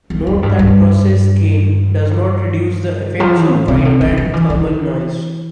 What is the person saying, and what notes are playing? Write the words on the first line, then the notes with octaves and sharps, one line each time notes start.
Note that process gain does not reduce the effects of wideband thermal noise.
E2
F2
G2
G2
F3
E3
A2
C3
D3
D3
D3
E3
E3